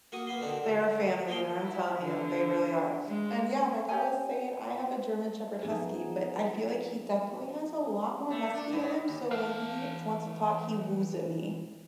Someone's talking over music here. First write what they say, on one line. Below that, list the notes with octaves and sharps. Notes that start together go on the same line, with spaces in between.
They are family, and I'm telling you, they really are. And, yeah, like I was saying, I have a German shepherd husky, but I feel like he definitely has a lot more husky in him, so when he wants to talk, he woos at me.
A#3 F#4 C#6 D#6
A#3 B3 C6
D3 D#3 C4 D4 F#4
D3
A#3 D#5 G5 C6
E4
D3
G#3
G4 C#5 D#5 G#5
F3 B3 D#4 G#4
A3
D4
G#2
D#2
E3 F5 A5